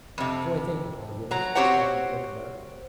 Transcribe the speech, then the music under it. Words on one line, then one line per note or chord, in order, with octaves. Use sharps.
"So I think," replied Willis, stopping to look about.
F2 C3
F#3 A#5
C4 F#4 G4 C5 C#5 F#5